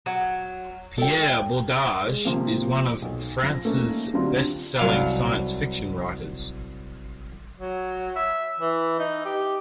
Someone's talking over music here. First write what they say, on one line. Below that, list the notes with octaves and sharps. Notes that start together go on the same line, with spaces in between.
Pierre Bordage is one of France's best-selling science fiction writers.
F#3
A4 G5
G#3
C3 F3 A#3
B1
F3 A#6
A3 A#3 C#4 D#4
D3 F#3 C4 D4 F4 G4
C2 F#3 F5
F#3
E5
E3
D#4
G4